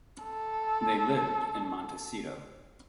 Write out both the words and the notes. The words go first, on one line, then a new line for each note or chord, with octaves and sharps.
They lived in Montecito.
A4